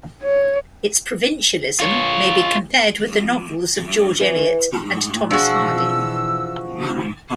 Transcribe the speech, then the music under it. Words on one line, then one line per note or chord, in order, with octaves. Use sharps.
Its provincialism may be compared with the novels of George Eliot and Thomas Hardy.
C#5
F4 C#5
E3
B2 E3 F3 D4 F#4 G#4 E6